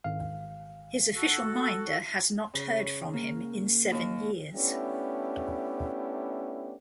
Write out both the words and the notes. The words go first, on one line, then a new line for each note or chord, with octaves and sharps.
His official minder has not heard from him in seven years.
G#1 F5
F#4 A4
C#3
A#3
D#2
A3 B3 C#4 D4 E4 G4